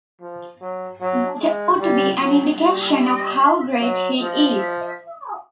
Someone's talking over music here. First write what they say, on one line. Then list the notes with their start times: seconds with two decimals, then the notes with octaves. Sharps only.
That ought to be an indication of how great he is.
0.21 F3
0.61 F#3
1.01 F#3
1.41 G#3
1.81 G3
2.20 F#3
2.60 G3
3.80 F#3
4.20 F3